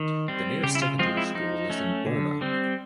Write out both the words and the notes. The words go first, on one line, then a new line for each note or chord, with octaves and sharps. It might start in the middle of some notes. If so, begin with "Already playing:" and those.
The nearest secondary school is in Boonah.
Already playing: D#3
G3 C4
C#3 G4
E4
F4
F3 G#3 C4 F4
E4
F3 D#4
A3 C#4
D3
G3 C4